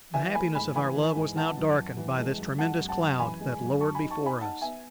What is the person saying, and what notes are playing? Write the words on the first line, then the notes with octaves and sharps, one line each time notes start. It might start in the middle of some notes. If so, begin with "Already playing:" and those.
The happiness of our love was now darkened by this tremendous cloud that lowered before us.
E3 E5 G#5
A3 G#5 B5
G#2 G#5 B5
E3 G#5 B5
E3
G#2
E3 F#5 A5
F#2
F#2
E3
G#3
F#2
G#3 F#5 A5
F#2
F#5 A5
F#2
E3 G#5 B5
G#3
F#2
F#3 A5 C#6
G#5 B5
D#4
A5 C#6
D#4
G#5 B5
D#4 F#5 A5
B3 E5 G#5